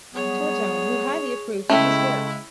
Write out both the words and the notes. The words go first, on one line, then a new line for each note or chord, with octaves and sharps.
Tortone, who highly approved of his work.
F#3 G3 B3 G#4 C#5
C#3 G#3 A3 C#4 E4 G5